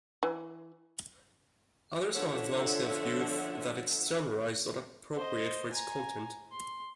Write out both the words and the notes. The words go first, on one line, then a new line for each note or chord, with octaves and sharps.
Others have advanced the view that its genre is not appropriate for its content.
E3
D3 F3 A4 C#5 E5 F#5
C5 D#5
G#5 A#5
C6